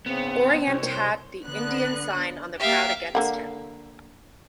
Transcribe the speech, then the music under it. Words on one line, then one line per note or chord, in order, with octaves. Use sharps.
Oriente had the ‘Indian sign’ on the crowd against him.
G#2 C#3 B3 C4
C2 C#5
C5
D3 B3 F#6
A#3 G4 E5 F5
D3 A#3 F#5